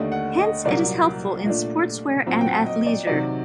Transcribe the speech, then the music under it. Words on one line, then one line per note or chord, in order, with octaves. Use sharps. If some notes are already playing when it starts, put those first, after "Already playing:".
Hence it is helpful in sportswear and athleisure.
Already playing: D#2 D3 A3 D4 D#5
F#5
D#5
C2 A#2 F#3 A#3 D5
A#2 A3 D4
A#2 F#3 C4
G5
F#5
D#5
D5
C3 D#3 F#3 D5